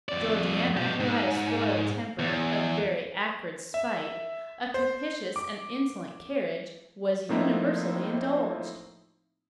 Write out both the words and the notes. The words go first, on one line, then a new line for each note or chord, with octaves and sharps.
Georgiana, who had a spoiled temper, a very acrid spite, a captious and insolent carriage, was universally indulged.
F2 D5
B2 G4
G#2
E2
E5
C5
D6
A2 F3 A#3 C4 D#4 E4